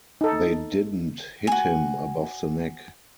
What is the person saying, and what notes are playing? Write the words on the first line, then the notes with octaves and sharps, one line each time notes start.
They didn't hit him above the neck.
D#4 A4
F#4 G#5